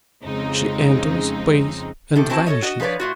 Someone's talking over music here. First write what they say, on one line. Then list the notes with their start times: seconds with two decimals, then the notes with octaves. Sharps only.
She enters, pays, and vanishes.
0.24 F2 C#3 G#3 C4 D#4
2.16 C3 D#3 A4
2.30 C4 E4 F#4 C5 A5
2.47 A4 B4 C#5 D#5
2.62 F#4 D#5
2.80 F3 G#4 B4 C#5 D5
3.00 A2 F4 F#4